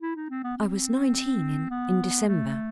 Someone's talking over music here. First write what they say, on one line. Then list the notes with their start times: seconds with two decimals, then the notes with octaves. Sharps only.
"I was nineteen in--in December."
0.02 E4
0.16 D#4
0.30 C4
0.44 B3
0.57 C4
1.70 B3
2.27 A3